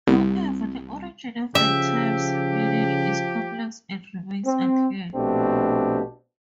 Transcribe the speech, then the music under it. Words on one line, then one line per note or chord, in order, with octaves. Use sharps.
However, the origin of the term's meaning is complex and remains unclear.
C2
C#3 F3 G4 E5
C4
A#1 B2 A3 C4 D4 G4